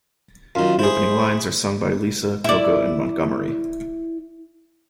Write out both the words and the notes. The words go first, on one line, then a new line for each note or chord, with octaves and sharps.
The opening lines are sung by Lisa, Coco and Montgomery.
F#2 D#3 F4
E4 G#4 C5
E4 D5